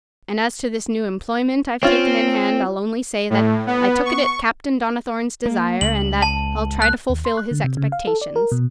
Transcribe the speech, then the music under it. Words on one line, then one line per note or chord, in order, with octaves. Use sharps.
And as to this new employment I've taken in hand, I'll only say that I took it at Captain Donnithorne's desire, and that I'll try to fulfil his expectations.
C4 C#4 F4
A2
B3
C#6
A#3
C#2 F#7
A5
F#6
D#2
C6
F#6
D3
C3
C#3
F5
A4
D5
A#4
B2